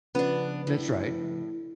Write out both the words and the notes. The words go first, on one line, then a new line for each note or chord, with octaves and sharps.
That's right.
C#3 F3 B3 D4 B4
A2